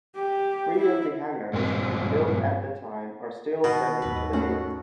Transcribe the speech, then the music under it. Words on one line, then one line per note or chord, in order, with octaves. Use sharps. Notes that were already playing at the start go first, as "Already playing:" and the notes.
Three of the hangars built at the time are still standing today.
G4
E4
G2 A#2 G#3 C4
B2 D#3
D#2 G#2 B4
A3 C#4 F#4